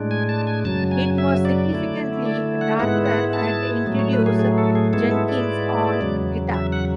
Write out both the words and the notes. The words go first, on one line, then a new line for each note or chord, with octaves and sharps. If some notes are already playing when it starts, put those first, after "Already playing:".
It was significantly darker and introduced Jenkins on guitar.
Already playing: A2 G#3 D4
G#5
A5
G#5
F#2 C#3 F#3 A5
G#5
E5
D5
D3 A3 E4
D5
F#5
G#2 G#3 B3 E4 F#5
F#5
A5
A2 F#3 A3
C#5
B4
G#4
G#4
A4
G#4
G#2 G#3 B3 E4 A4
A4
D5
E2 C#3 F#3
E5
F#5